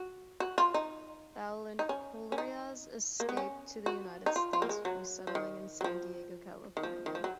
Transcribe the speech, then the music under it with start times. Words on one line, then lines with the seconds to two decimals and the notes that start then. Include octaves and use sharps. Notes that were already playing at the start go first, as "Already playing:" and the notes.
Blancornelas escaped to the United States, resettling in San Diego, California.
Already playing: F#4
0.40 F#4
0.58 F4
0.74 D#4
1.79 D#4
1.89 C#4
2.32 C#4
2.38 D#4
3.20 A#3
3.29 B3
3.37 C#4
3.86 F#4
4.26 D#4
4.36 F4
4.53 F4
4.62 A#3
4.69 G#3
4.85 F#3
5.27 F3
5.35 D#3
5.81 F#3
5.84 F3
6.77 D#3
6.83 F3
7.06 D#3
7.15 F3
7.24 F#3